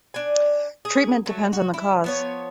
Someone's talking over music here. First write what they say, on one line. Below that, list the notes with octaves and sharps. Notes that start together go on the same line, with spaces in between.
Treatment depends on the cause.
D4 G#5
G#4
F#3 A3
F#4
E4
F3 B3 C#5